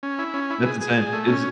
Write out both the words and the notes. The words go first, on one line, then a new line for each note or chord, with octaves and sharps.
That's insane. Is i
C#4
E4
C#4
E4
G#4
G#4
G#4
A3
C#4